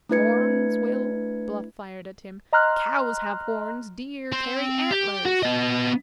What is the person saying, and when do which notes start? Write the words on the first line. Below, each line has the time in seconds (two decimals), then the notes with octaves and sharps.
"Horns, Will?" Bluff fired at him; "cows have horns, deer carry antlers!"
0.09 A3 D4 E4 B4 G#6 C#7
2.53 D#5 A#5 C6 F6 F#6
4.32 C4
4.91 G4
5.26 F#4
5.43 B3 D#5